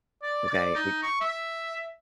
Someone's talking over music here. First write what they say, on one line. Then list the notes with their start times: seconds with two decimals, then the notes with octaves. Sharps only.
okay? Y
0.22 D5
0.47 D5
0.75 D#4
1.03 C#6
1.21 E5